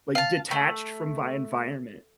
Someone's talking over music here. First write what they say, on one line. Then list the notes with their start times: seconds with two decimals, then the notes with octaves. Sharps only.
like, detached from my environment.
0.15 F5 A5
0.51 A3